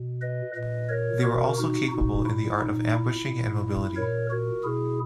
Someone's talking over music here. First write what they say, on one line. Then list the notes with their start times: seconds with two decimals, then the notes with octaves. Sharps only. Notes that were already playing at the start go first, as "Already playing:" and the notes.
They were also capable in the art of ambushing and mobility.
Already playing: B2
0.21 B4 D#5
0.55 A#2 B4 D#5
0.89 A#4 C#5
1.23 B2 F#4 A#4
1.57 D#4 F#4
1.91 A#2 D#4 F#4
2.25 E4
2.60 A#2 D#4
2.94 E4
3.27 A#2
3.96 A#2 A#4 C#5
4.30 F#4 A#4
4.64 B2 E4 G#4